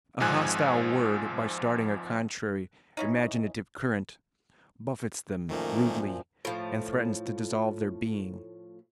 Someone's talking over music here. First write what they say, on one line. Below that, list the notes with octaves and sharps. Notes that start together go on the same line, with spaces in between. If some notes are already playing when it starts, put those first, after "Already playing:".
A hostile word, by starting a contrary imaginative current, buffets them rudely and threatens to dissolve their being.
G#1 G#2 F3 G#5 F#6
E3 C#4 D#4
F#2 A#2 D#3 F3 A3 A#3
A2 F3